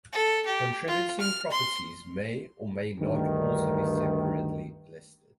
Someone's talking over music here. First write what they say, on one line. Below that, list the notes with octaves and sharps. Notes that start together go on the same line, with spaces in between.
Contributing properties may or may not also be separately listed.
A4
G4
F4
F6
C6
D2 G2 D#3